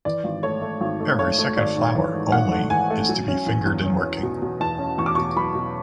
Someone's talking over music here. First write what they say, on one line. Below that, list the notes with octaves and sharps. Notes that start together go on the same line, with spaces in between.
Every second flower, only, is to be fingered in working.
E3 D5
G#1
A3 C#5
A3
G#1
A3
A3 C#5
A3
G#1 D5
G#2
E3
G#2
G#1 F#5
A3
E3 G#5
A3
F#3
C#4
E2
E2
C#4
C#4
B2
B2
E2 A5
C#4
E2 C#6
D6
B2 C#6
F#3 B5
B2